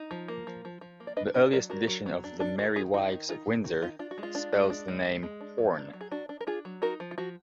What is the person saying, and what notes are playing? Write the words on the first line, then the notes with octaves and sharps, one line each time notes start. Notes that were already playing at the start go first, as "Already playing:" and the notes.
The earliest edition of "The Merry Wives of Windsor" spells the name "Horne".
Already playing: D#4
F3
A#3
F3
F3
F3
A#3
D5
D4 B4 D#5
D4 B4 D#5
F#3 A#4 D5
D4 F#4 A#4
F#3
F#3
D4
D4
D#3 F#4
D#3 F4 G#4
D#4 F#4
D#3
D#4 F4 G#4
D#3
D#3 F#4
D#4 F4
D4 F4
F#4
G#3
F4
D4
G#3
D4
G#3
G#3
G#3
D4
F#3
D4
F#3
G#4
D4 F#4
D4
A#4
D4 F4 G#4
F#3
D#4 F#4 A#4
F3
F4
F3 F#4